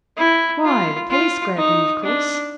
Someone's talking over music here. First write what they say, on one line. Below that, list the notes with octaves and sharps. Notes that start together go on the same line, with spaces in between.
'Why, the p'leece grabbed him, of course.
E4
F4
F4
D#4
D4